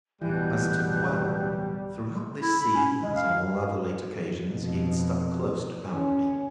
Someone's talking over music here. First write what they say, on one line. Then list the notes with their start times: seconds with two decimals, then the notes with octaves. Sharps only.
As to the whelp; throughout this scene as on all other late occasions, he had stuck close to Bounderby.
0.21 D1 B2 E3 G3 F#6 G6
2.41 E4
2.60 B5
2.74 C#4
3.03 G#3
3.16 F5
4.48 F2 B2
5.92 C#4